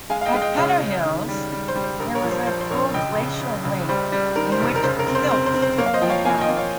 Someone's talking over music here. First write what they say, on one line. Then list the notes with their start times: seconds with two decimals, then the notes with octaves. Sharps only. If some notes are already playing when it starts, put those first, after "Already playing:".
At Petterhills, there was a proglacial lake in which silts were laid down.
0.10 G#3 F5 G#5
0.21 F5
0.25 D#5 G5
0.34 G#3 F5
0.41 D#5 G5
0.57 C#3 C#5 F5
0.81 C#3
1.05 D#3
1.28 G3
1.52 G3
1.68 C5
1.76 G3
1.84 C5
1.99 A#1 A#4
2.15 A#4 C#5
2.23 F3
2.31 C5
2.46 F3 C5
2.61 C5
2.70 A#1 A#4 C#5
2.94 C#2 D#5 G5
3.18 C#3
3.41 C#3
3.65 C#2
3.89 G3 C5
4.12 G3
4.36 D#3 A#4
4.52 C5
4.60 F1
4.76 A#4
4.83 C#3 C5
4.99 A#4
5.07 C4
5.15 C5
5.31 C4 C5
5.46 C5
5.54 C4
5.62 C5
5.78 A#3 A#4 C#5
5.86 F5
5.94 C5 D#5
6.01 F3 G5
6.09 C#5 F5
6.25 A#3 F5 G#5
6.41 D#5 G5
6.49 A#3
6.57 C#5 F5